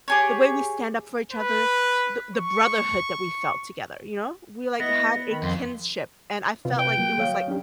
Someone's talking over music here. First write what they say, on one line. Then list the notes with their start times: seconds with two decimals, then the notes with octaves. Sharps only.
The way we stand up for each other, the the brotherhood that we felt together, you know? We, like, had a kinship, and I felt like it was, like,
0.08 G4 G#4 C#5
1.32 B4
2.36 C#6
4.80 B3 E4 D#5 A#6
5.30 D#3 B5
5.43 F2 C6
6.65 C3 F4 B4
6.79 G5
6.98 F#3 A#3
7.18 F#3 C#5 F5
7.48 C#4 D4 G4